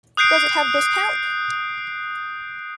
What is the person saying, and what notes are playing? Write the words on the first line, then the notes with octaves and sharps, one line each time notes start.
Does it have discount?
D#6 F#6 G6 C7 D7